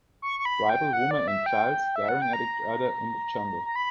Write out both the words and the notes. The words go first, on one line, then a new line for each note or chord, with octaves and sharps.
Tribal woman and child staring at each other in the jungle.
C#6
C#6
B5
G5
F#5
D5
E5
G5
E5
F#5
G5
A#5
A#5
B5